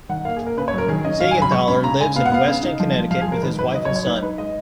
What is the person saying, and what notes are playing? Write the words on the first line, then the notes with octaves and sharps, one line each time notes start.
Seigenthaler lives in Weston, Connecticut with his wife and son.
D#3 F#5
A#3 F5
G#4
A#3 A#4
C#3 B4
C#5
F#3
A#4
D#3 G#4
C#4 D#5
D#3 F5
G#5
F#3 B5
G#3 C#6
C#4 B5
C#3 A#5
G#3 G#5
B3 F5
F#5
B3 F5
C#3
D#4
F3
G#3
F3 F5
G#4
G#3
A#4
D#3 B4
F#3 B4
F#3 D#5
C#5
F#3
C#5
D#4 B4
D#4 B4
G#3 D#5